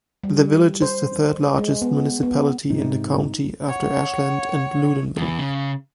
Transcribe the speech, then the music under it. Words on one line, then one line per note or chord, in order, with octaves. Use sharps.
The village is the third largest municipality in the county after Ashland and Loudonville.
G3
C5
G#3
B3
B3
G#2 C3 D#4
C#5 F#5
E2
C#3